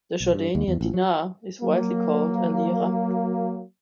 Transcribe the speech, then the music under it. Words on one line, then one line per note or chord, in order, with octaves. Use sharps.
The Jordanian dinar is widely called a "lira".
B1
G2
D#2
E2
A1
F#3
F#3 A#3